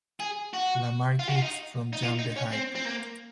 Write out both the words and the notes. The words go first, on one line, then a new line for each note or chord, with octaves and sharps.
Lamar Gibbs from Jam the Hype!
G#4
F#4
F4
F#4
F4
D#4
D#4
F4
D#4
C#4
C4
C4
A#3